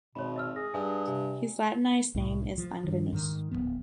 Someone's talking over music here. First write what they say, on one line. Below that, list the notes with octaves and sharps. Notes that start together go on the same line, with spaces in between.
His Latinized name is Langrenus.
G#1 B2 C#5 B5
E5 E6 F6
G#4 A#6
G2 E5 G#5
C3 G#5
C2 A2
F3
G2 D#3
G#2 D#3
D1 D2 F3 B3